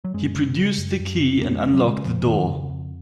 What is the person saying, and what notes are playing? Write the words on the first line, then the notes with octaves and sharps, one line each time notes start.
He produced the key and unlocked the door.
F#3
F#2 G#3
C#3
C#3
F#2
F#2
C#3
F2 A#3
G#3
C#3
F#3
C#3 G#3
F2 F3
F2 D#3
C#3
F2